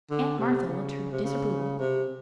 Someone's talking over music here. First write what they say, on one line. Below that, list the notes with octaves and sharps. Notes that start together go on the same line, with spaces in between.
Aunt Martha looked her disapproval.
D3
C3
C#3
C3
C#3
C3